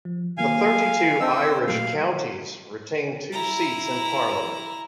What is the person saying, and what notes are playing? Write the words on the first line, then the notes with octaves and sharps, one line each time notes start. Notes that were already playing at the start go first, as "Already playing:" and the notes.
The thirty-two Irish counties retained two seats in Parliament.
F3
D#3 F#3 A#3 F5 G#5
C4 D#5 G5 A5 E6
A#2 F#3 A3 F5
E4 A#5